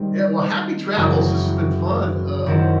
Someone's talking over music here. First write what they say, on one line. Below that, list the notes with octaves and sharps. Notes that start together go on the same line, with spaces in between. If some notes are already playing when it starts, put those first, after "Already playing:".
Yeah, well, happy travels, this has been fun, um,
Already playing: D#3 G3 C4
F#1 F#2 E3
F#2 D#3 F#3 C4 E4